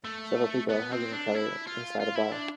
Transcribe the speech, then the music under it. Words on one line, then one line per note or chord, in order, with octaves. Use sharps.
Several people are hugging each other inside a bar.
A3
B3
C4
D4
E4
F4
F4
E4
D4